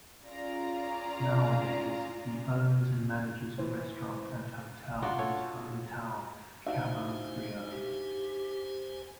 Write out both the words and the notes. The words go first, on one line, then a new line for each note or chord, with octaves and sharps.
Nowadays he owns and manages a restaurant and hotel in his hometown Cabo Frio.
C#4 F4 G#4 D5 F5 A#5
E3 C5
D4 F4 F#4
A4 C#5
D4 D#4 F#4 C5 E5 F5 G#5
G4